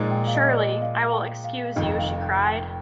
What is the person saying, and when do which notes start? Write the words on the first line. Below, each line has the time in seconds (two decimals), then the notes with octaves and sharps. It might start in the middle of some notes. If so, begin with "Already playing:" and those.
Surely I will excuse you, she cried.
Already playing: A#2 F3 G#3 D#4
0.11 G5
0.27 F5
0.35 D#5
0.48 D5
0.59 D#5
0.82 F5
1.12 G5
1.44 F5
1.75 F1 F2 D#3 D#5
1.99 F5
2.22 G5
2.46 G5